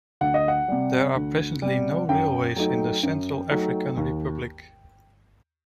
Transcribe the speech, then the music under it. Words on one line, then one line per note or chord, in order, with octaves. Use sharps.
There are presently no railways in the Central African Republic.
D2 F#5
D#5
F#5
C3 G3
D2
C3 G3
F#2 G5
F#3 A3 D#4
F#2
F#3 A3 D#4
D#2